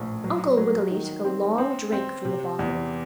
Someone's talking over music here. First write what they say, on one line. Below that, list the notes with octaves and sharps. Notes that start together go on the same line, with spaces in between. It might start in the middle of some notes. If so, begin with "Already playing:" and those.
Uncle Wiggily took a long drink from the bottle.
Already playing: A#1 A2
F#3
F#3
D#3
C4
C4
C4
C3
E2